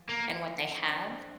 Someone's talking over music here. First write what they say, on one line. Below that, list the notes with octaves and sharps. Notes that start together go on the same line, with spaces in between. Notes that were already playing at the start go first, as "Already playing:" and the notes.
and what they have
Already playing: E3 F3
A#3
F3
C4
D4
C4